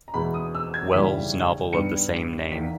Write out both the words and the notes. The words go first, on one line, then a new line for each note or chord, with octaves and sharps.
Wells novel of the same name.
A#5
E2 B2 G#3 B5
D#6
E6
G#6
E1 D#2 C#3 E3 G3 B6
G2 D#3 G3 B3 C#7
E2 D#3 A#3 B6